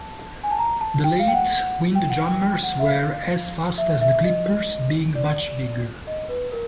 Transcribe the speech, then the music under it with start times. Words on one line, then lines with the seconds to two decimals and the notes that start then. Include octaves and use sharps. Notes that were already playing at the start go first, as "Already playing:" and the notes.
The late windjammers were as fast as the clippers, being much bigger.
Already playing: A5
0.44 G#5
0.51 A5
0.58 A#5
0.81 A5
1.04 G5
1.19 F5
1.28 G5
1.34 F#5
1.95 G5
2.10 F#5
2.26 G5
2.41 G5
2.63 F#5
2.79 E5
2.86 F5
3.78 E5
4.01 E5
4.24 D#5
5.15 D5
6.07 D#5
6.29 B4
6.52 A#4